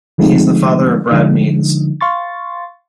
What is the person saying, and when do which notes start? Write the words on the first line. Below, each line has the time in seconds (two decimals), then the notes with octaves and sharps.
He is the father of Brad Means.
0.18 D3 F3 G#3 A3 C4 D#4
1.11 D3 F3 G#3 D#4
2.01 F5 C6 C#6 A6